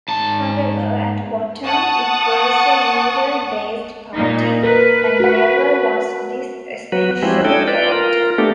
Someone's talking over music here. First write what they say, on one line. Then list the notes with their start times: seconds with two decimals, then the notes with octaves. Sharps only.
However, at bottom, it was a rural-based party, and never lost this essential character.
0.08 G#2 A5
1.64 F#5 A5 C#6 D#6
4.15 A#2 A#3 D#4
4.63 A#4 B4
5.20 F#4 F#5
6.92 F#3 F#4 B4
7.22 F3 G#3 C4 E4 F#4 G4
7.44 D4 E4 A4 D#5 G5
7.68 F4 B4 D5 G5
7.92 F4 A#4
8.38 A3 B3 D4 G4 A4